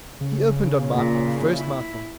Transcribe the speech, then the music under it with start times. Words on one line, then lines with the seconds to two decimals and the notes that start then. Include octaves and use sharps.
He opened on Mike with the first mouthful.
0.21 C#3
0.94 A#2
1.56 E4